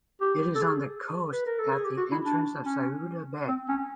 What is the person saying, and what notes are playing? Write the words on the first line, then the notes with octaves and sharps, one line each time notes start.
It is on the coast at the entrance of Souda Bay.
G4
A4
G#4
B4
A#4
A4
G#4
G4
F#4
E4
D4
C#4
C4
C#4